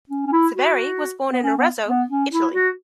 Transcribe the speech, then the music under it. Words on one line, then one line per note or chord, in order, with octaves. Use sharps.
Severi was born in Arezzo, Italy.
C#4
C#4
E4
F#4
B3
C#4
B3
B3
C#4
E4
F#4